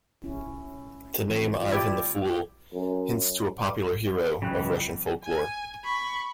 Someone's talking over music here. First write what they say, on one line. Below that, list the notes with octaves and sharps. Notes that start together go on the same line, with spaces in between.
The name "Ivan the Fool" hints to a popular hero of Russian folklore.
C#4 E4
E3 C4 F#4
F4
E4 G4 D5
F#2
C#2 C#3 E3 F#3 G5 F#6
G#5
B5 C#6